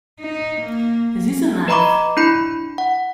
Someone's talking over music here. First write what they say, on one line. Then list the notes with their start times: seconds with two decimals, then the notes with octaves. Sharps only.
This is a knife!
0.20 D#4
0.61 A#3
1.68 B4 D#5 A#5 B5 C#6 D6
2.17 D4 E4 B5
2.78 F#5